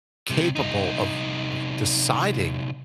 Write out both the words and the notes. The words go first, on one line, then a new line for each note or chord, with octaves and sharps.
capable of, of deciding
C3 G3
C2 D#4